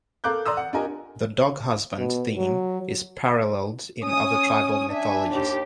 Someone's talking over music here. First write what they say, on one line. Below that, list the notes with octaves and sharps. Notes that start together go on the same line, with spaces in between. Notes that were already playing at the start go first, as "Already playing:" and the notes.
The "Dog Husband" theme is paralleled in other tribal mythologies.
A4 A#4 F5 D6 F#6 G6
D5 A#5 C6 D#6 E6
F#5
D4 F4 G4 A#4 D#5 G#5
B2
F#3
C#4 G#5 D#6
D4 E5 G#5
D#2 G4